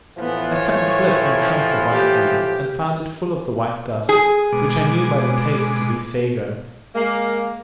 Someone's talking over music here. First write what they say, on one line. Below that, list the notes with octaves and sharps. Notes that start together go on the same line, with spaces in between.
I cut a slit in the trunk of one of these, and found it full of the white dust, which I knew by the taste to be SA-GO.
A2 E3 F3 B3
C#5
G4
G#4
B2 G#3 D6
G#3 A#3